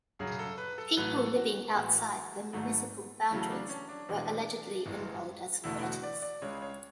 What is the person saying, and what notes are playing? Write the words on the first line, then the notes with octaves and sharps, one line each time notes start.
People living outside the municipal boundaries were allegedly enrolled as voters.
F#2 C#3 F#3 G#4
A4
B4
A4
A1 A2 F#3 A3 B4
A4
F#4
A1 A2 E3 A3 F#4
G#1 G#2 F#3 A3
E2 C#3 F#3 A3 E4
D4
C#4
D4
E1 E2 B2 G#3
F#1 F#2 E3 G#3
E1 E2 D3 A3 E4
E4
F#4
D5
D5
C#2 C#3 G#3 C#5
C#5